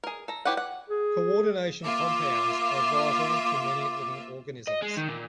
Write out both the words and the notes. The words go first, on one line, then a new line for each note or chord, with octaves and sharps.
Coordination compounds are vital to many living organisms.
G#4 A#4
A4 A#5
F#3 E4 G4 B4 F#5
F#5
G#4
A#3 F4 E5 D6
D#5
G#3
D#3
A#2